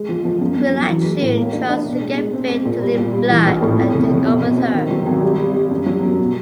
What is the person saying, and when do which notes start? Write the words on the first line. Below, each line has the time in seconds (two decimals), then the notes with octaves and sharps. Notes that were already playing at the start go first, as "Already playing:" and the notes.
Quilla June tries to get Vic to leave Blood, and take off with her.
Already playing: G#3
0.09 F3
0.25 F3
0.41 F#2
0.57 F#2
0.73 F#3
0.89 E3
1.05 G#3
1.21 A2
1.38 A#3
1.53 D4
1.69 D4
1.86 B2
2.01 G#3
2.18 G#3
2.33 C4
2.50 C4
2.65 A#2
2.82 G3
2.98 A#2
3.13 G3
3.30 E3
3.46 A#1
3.62 A2
3.78 F2
3.94 F1
4.10 F1
4.26 B2
4.42 B2
4.58 C4
4.74 D#3
4.91 F#3
5.07 G#1
5.23 G3
5.39 G3
5.55 G3
5.71 F#2
5.86 F#3
6.03 F#2
6.18 B2